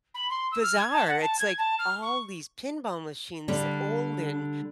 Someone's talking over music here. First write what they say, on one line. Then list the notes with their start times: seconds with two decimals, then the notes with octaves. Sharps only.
bizarre, it's like, all these pinball machines, old and
0.14 B5
0.30 C6
0.52 E6
0.63 F6
0.79 G#6
0.92 A5
1.08 F#5
1.21 A5
1.39 G#6
1.58 A5
1.79 F6
2.03 C#6
3.48 D3 G3